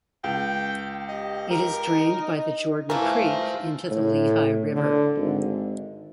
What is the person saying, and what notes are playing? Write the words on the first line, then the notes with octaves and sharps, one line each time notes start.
It is drained by the Jordan Creek into the Lehigh River.
C#2 G5
G4 D#5
A#4
D#4
E3 A3 F4 A#4 C5 G#5
A2
D3
G#1